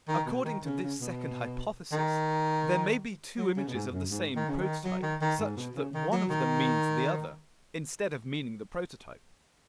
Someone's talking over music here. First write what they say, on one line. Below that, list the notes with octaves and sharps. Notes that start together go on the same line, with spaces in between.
According to this second hypothesis, there may be two images of the same prototype, such that one of them means the other, instead of meaning the prototype.
D#3
B2
D#3
C#3
C#3
B2
D#3
F#3
C#3
B2
G#2
F#2
G#2
D#3
C#3
D#3
F#3
D#3
D#3
G#2
B2
C#3
D#3
F#3
D#3